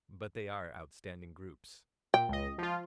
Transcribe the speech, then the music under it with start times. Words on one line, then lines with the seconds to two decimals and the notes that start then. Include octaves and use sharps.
But they are outstanding groups.
2.14 A#2 G5
2.29 C#2 D#5
2.58 F3 F4